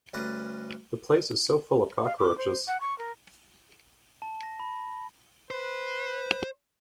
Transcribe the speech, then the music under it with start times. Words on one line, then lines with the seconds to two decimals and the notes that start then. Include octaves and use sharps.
The place is so full of cockroaches.
0.14 D2 G2 C#4 B4 A#5
2.04 F5
2.18 D6
2.38 C5
2.67 F#5
2.81 C#6
2.98 A#4
4.22 A5
4.43 A#6
4.60 B5
5.51 B4 C5